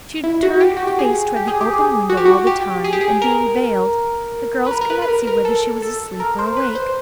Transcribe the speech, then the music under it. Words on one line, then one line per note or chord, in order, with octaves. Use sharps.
She had turned her face toward the open window all the time, and being veiled, the girls could not see whether she was asleep, or awake.
E4
F#4
G4
F#4
G4
G#4
G4
G#4
G4
G#4
F#4
G4
F#4
G4
G#4
G4
G#4
A#4
B4
A#4
A#4
B4
B4
A#4
A#4
A4
A4
A#4
C5
B4
C5